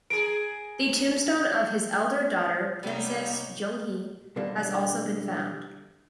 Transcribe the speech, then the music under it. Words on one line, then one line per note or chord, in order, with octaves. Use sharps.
The tombstone of his elder daughter, Princess Jeonghye, has also been found.
G#4 A#4 D7
C3 G3 B3 D#4 G4 C#5
B2 D3 D#3 G3 A#3 D4